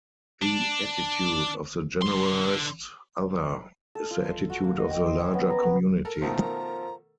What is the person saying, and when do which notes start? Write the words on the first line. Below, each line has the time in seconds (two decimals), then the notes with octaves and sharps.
The attitude of the generalized other is the attitude of the larger community.
0.42 D4
2.02 D3 C6
3.95 A4
4.11 F4
4.25 C6
4.50 F#4
4.64 A#3
4.78 D#5
4.91 G5
5.06 C5
5.20 C#4
5.34 B3
5.50 A#5
5.63 B3
6.05 A4 A#4
6.22 B2 D#3 F3 A3 A#5